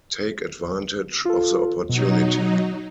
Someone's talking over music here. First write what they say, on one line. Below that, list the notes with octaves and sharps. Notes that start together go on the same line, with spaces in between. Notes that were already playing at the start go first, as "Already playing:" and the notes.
Take advantage of the opportunity.
F4 A4
B2 F#3 D#4